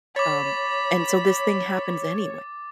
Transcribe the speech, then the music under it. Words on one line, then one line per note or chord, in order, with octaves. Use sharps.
um, and so this thing happens anyway.
C#5 B5 D6 A6